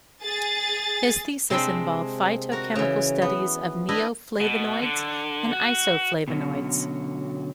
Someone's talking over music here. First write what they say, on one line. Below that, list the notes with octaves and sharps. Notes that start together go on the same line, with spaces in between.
His thesis involved phytochemical studies of neoflavonoids and isoflavonoids.
G#4 A6
C3 G#3 C4 D4 B5 C6
F#4 A#4
C#3 E3
B3
D4 E4 B4 D#5
B2
D3
F#4
B2 D3 F#3 A3 C#4 F#4